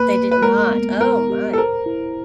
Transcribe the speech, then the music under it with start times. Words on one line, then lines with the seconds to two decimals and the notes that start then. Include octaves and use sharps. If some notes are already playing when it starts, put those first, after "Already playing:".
They did not. Oh my.
Already playing: A#3 B4
0.14 A#3
0.31 B4
0.42 G#3 A#4
0.71 B3
1.00 B3 A#4
1.29 G4
1.53 A4
1.58 A#4 C5
1.86 E4